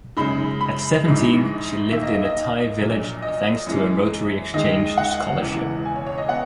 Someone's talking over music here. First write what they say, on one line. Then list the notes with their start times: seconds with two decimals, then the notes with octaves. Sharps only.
At seventeen, she lived in a Thai village thanks to a Rotary exchange scholarship.
0.17 F#2 C#3 G#3 D#4 B5
0.61 B5
1.05 A#1 G#2 E3 G#3 D#4
1.91 D#2 D#3 A#3 E5
2.03 D#5
2.14 D#5
2.25 D#5
2.35 D#5
2.79 A#1 A#2 F#3
3.22 D#5
3.66 F#2 E3 G#3
4.54 D#2 D#3 G#3 D#5
4.98 F#5
5.41 E1 E2 C#3 E3 G#3
5.85 G#5
5.96 C#5
6.06 C#5
6.18 D#5
6.28 B3 F#5